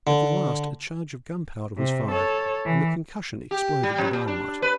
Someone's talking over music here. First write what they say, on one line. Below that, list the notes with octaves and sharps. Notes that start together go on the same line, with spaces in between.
At the last a charge of gunpowder was fired, and the concussion exploded the dynamite.
D3
C3
A4 C#5
E3
G4
G3
F2
A#2
D4
B4